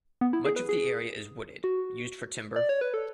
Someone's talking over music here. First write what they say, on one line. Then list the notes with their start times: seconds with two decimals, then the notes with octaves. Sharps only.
Much of the area is wooded, used for timber.
0.21 B3
0.33 E4
0.45 G#4
0.56 B4
0.69 G#4
1.64 F#4
2.56 D5
2.69 C#5
2.81 B4
2.94 A4